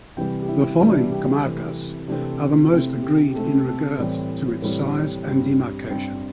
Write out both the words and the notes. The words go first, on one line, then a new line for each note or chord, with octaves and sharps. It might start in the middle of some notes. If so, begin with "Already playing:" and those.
The following "comarcas" are the most agreed in regards to its size and demarcation.
C3 E3 G3 G5
G4
E4
C3 E3 G3 E4
D4
E4
G4
C3 E3 A3 C4
C3 E3 A3 C4 D4
C3 A3 C4 E4
G4
G4
C3 A3 C4 A4
A4
A2 E3 G3 C4 D5
A2 E3 G3 C4
G2 G3 C4
G2 G3 C4 G5